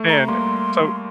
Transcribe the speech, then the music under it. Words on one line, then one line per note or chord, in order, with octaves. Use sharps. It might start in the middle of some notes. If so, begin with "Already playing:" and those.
And, so
Already playing: A3
A#5
G3 A#3 C6